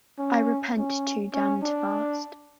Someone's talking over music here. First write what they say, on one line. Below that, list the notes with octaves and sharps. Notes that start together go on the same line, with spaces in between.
I repent too damned fast.
C#4
C#4
C#4
D4